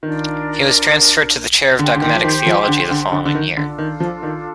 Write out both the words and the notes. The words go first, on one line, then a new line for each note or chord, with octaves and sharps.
He was transferred to the chair of dogmatic theology the following year.
D#3 D4 F4 A#4
D3 G4 C5 G5 C6
D3
D#3
F3
D#3
F3
D3
D3
D3
D3
D#3
D3 D4 F4 A4
D#3
F3
D#3